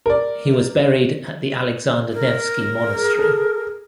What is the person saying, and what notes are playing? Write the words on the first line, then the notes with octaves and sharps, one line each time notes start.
He was buried at the Alexander Nevsky Monastery.
A#4 D5
A#4
G#4
A4